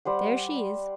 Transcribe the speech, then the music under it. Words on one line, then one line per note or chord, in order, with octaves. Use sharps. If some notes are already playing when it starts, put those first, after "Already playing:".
There she is.
G3 C5 F#5